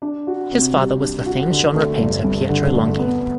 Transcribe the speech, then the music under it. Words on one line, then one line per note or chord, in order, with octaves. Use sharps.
His father was the famed genre painter Pietro Longhi.
D4
F#4
C3
G3
D4
F#4
D3
A3
G1
G2
D3
A3
B3